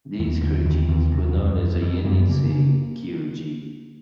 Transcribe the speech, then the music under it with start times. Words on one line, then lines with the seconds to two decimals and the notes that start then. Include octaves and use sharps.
These Kyrgyz were known as the Yenisei Kyrgyz.
0.19 D#2 B3
0.42 D3
0.65 D#2
0.88 D#2
1.12 C3
1.35 F2
1.58 F2
1.81 F2
2.05 F#2 A#3
2.17 B3
2.28 C#3 A#3
2.51 C#3